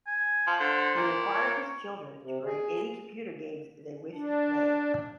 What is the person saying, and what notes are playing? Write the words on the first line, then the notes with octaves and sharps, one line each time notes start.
He required his children to write any computer games they wished to play.
G#5
F3
D3 C5
A#2
C#5
C3
G#4
D4